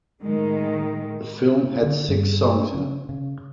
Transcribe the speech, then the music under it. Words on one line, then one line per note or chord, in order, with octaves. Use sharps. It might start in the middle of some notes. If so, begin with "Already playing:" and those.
The film had six songs in it.
A2 D#3 G#3
D3
G2
C#3
C#3